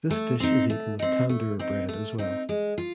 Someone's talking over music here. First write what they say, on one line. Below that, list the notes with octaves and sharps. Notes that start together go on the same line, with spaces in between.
This dish is eaten with Tandoor bread as well.
A3
C4 D#4
A3
C4 D#4
A3
C4 D#4
A3
C4 D#4
G#3
F4